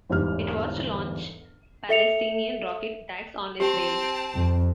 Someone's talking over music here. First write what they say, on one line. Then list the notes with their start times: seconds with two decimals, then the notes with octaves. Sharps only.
It was to launch Palestinian rocket attacks on Israel.
0.09 G1 E2 G#2 G4 F6
1.89 A4 E5 C#7 F7
3.60 C4 G4 A5
4.35 F2